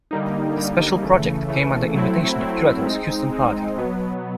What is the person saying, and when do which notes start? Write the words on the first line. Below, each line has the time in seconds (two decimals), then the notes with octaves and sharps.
This special project came at the invitation of curators Houston Party.
0.11 D3 G3 A#3 D#4
0.56 D3 G3 A#3 D#4
1.02 C#3 E3 A3
1.49 C#3 E3 A3
1.95 F#3 A3 C4 E4
2.41 F#3 A3 C4 E4
2.86 G#3 C4 D#4
3.32 G#3 C4 D#4
3.77 B2 F#3 B3